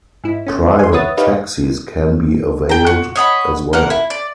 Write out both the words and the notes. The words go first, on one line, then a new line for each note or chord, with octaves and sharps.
Private taxis can be availed as well.
G#2 E4
A3 C#4
G#5 C6
B4 C#5 E5 F#5 D#6 A6
D#4 G4 B4 C#5 D#5 F5
G5 A#5
F#4
C#5 D#5 F#5 B5
A#3 A#4 F#5
E4
D5